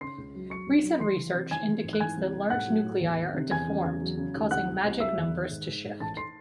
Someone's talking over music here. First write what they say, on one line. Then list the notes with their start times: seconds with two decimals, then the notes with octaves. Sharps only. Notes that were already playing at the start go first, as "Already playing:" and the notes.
Recent research indicates that large nuclei are deformed, causing magic numbers to shift.
0.01 C#3 C6 C7
0.18 C#2
0.35 F#3
0.50 F#3 C#6 C#7
0.67 C2
0.84 F#3
1.00 E3 C6 C7
1.17 E3
1.34 C3
1.51 E3 G#5 G#6
1.68 E3
1.84 G#1
1.93 F#6
2.00 E3 G#5 G#6
2.18 C2
2.34 C2
2.50 A2 F#5 F#6
2.67 F#3
2.84 A2
3.00 E2
3.18 D#3
3.34 C3
3.51 E2 G#5 G#6
3.68 C#3
3.84 E2
4.01 F#3
4.17 C#3
4.34 D#2
4.51 C2 F#5 F#6
4.68 C2
4.84 C2
5.00 F#3 E5 E6
5.17 E2
5.34 D#3
5.51 G#2
5.68 G#2
5.84 G#2
6.00 A1 A5 A6
6.17 C6 C7